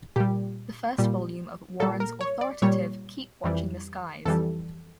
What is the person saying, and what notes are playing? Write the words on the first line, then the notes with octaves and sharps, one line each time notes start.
The first volume of Warren's authoritative Keep Watching the Skies!
A#2 G3 G4
A#2 G3
A#2 G3 A4
A#4
C#5
D5
A#2 G3 C#5
F2 E3 G3
F2 E3 G3 A4